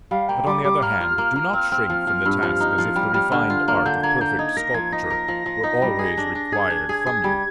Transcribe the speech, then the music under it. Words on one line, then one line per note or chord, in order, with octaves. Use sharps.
But, on the other hand, do not shrink from the task as if the refined art of perfect sculpture were always required from you.
G3 F5
A#3 G5
G3 D6
G3 D6
A#3 F6
F4
A#3
A#3
C4
C4
F3
F3
G2
F3
D#4
F3
G3
G3
D3
F4
A#3 F6
D3 G6
A#3 G#6
A#3 G6
D#4 G#6
A#4 A#6
F3 G#6
D#4 A#6
A#4
F3
F3
D#4
G3
G#4
D4
D4
G#4 G#6
D4
G#4
G#4
G3